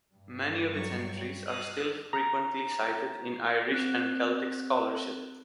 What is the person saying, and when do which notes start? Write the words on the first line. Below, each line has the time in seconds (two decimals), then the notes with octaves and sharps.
Many of its entries are still frequently cited in Irish and Celtic scholarship.
0.15 G2 G3
0.73 F#3 C#6
1.46 F5 D#6 F#6
2.13 A#5
3.72 C4 F#6